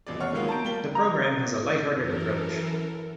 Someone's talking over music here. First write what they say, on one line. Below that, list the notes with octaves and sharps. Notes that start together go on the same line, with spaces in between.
The programme has a light-hearted approach.
D#1 A1 B2 D5
C#5 F#5 C#6 F6
D#3 F3 F#3 G#3 A#3 B3
A5 A#5 C#6 G6 D7
G3 A#3 G5 G7
A#5
F#2 E3 A4 A#4